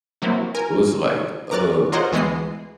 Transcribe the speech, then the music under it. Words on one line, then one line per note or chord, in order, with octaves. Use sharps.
So it's like, uh,
C3 F#3 A#3 C4 E4
A#4 G#5
A#5 D6 F6 F#6 A6
F4 A#4 C5 C#5 D#5 F#5
D2 E3 G#3 B3 D#5 C7